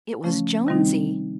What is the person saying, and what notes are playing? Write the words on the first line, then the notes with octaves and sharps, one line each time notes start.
It was Jonesy.
C#3 F3 A3 C#4
C3 D#3 G3 C4 D#4